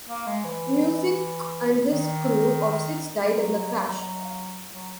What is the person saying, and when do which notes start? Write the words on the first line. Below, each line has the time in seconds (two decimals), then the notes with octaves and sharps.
Musick and his crew of six died in the crash.
0.09 A#3
0.27 G#3
0.44 E3
1.88 D#3
3.31 F#3
4.73 F#3